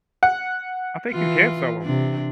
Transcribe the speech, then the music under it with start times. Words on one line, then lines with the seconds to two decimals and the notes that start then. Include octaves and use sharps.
I think you can sell 'em.
0.23 F#5
1.11 E3 F4
1.82 C3 D4